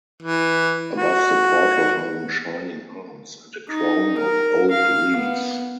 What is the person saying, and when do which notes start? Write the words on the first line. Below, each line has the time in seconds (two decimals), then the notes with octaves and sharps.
Above the portal hung shining arms and a crown of oak leaves.
0.23 E3
0.96 F#4
3.69 D#4
4.18 A#4
4.71 F5
5.16 B3